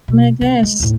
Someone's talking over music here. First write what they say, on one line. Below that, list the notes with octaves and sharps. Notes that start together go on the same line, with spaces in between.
Oh my gosh.
B2
C#3
G#3
D#2 A2